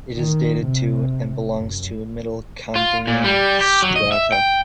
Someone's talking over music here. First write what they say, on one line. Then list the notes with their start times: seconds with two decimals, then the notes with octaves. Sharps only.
It is dated to and belongs to middle Cambrian strata.
0.16 D#3
0.65 C3
1.54 F#2
2.76 F4
3.07 A#2
3.24 G3
3.61 G4
3.83 F#3
3.96 D#5
4.12 E5
4.32 G5